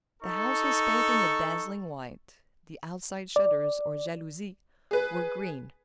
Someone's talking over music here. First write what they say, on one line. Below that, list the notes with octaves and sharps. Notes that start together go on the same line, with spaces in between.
The house was painted a dazzling white; the outside shutters, or jalousies, were green.
D#4 A4 C#6
D5
G#4 B4